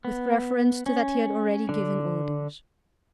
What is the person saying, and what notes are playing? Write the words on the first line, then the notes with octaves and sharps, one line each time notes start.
With reference to that he had already given orders.
B3
C#4
D3 D4